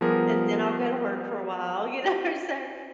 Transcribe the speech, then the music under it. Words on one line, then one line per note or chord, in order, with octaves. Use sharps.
and then I'll go to work for a while, you know, so
F3 G3 B3 G4 G#4 A#4